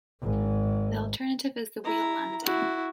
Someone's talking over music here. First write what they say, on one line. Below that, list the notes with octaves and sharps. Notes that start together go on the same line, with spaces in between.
The alternative is the "wheel landing".
G#1 G#2
E4 A#5
E4 F#4